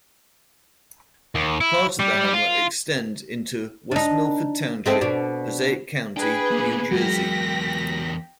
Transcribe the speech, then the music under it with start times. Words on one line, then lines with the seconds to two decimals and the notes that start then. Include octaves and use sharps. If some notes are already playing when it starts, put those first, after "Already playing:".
Part of the hamlet extends into West Milford Township, Passaic County, New Jersey.
1.35 D#2
1.61 E4
1.99 G3
2.33 F4
3.91 D4 D#4
4.86 G#3 A3 C4
5.01 B2 D4
6.17 D4 G#4 B4 G5 G#5
6.51 A#3 B3
6.91 E2 F#3 G#3 F#4 A#4 G5 A#6 B6